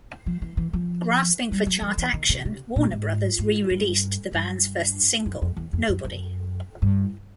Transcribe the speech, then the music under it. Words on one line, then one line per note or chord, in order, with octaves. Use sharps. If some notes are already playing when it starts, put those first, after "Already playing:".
Grasping for chart action, Warner Brothers re-released the band's first single, "Nobody".
F3
E3
E3
F3
G3
F#3
F3
E3
D#3
C#3
C#3
A#2
G#2
G#2
G2
G2
F#2
F2
E2
F2
F#2
F#2
G2